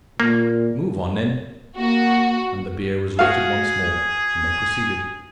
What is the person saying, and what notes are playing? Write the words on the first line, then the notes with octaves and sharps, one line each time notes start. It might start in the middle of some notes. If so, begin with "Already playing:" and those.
"Move on, then." And the bier was lifted once more, and they proceeded.
A#2 A#3
A#3 F#4
F#4 G#4 F5